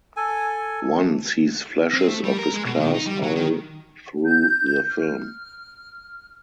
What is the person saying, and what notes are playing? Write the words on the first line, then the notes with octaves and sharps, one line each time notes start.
One sees flashes of his class all through the film.
A4 G#5
C4
A3
G3
A#4
G#3
B2
D#3
D#4
G3
F#3
D#3
G6
F6